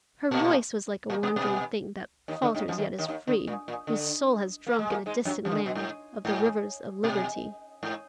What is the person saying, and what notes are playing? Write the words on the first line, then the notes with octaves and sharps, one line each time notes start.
Her voice was like a wandering thing That falters yet is free, Whose soul has drunk in a distant land Of the rivers of liberty.
A#2 A#3
A#2 A#3
B2 B3
B2 B3
D#2 D#3
D3
D#2 D#3
F2 F3
D#2 D#3
D#2 D#3
D#2 D#3
D3
A#2
A#2
D3
A#3
G#3
A#2 A#3
G#2 G#3
F#2 F#3
F2 F3
D#3
D3
B2
G#2
G#2
B2
G#2